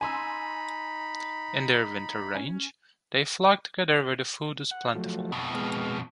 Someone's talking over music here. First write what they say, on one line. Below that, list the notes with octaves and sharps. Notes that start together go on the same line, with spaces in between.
In their winter range, they flock together where food is plentiful.
D#4 G#5 B5 C6 E6
C#4
F#5
F3 F#3 A3
F2 B2
G#3 B3 F6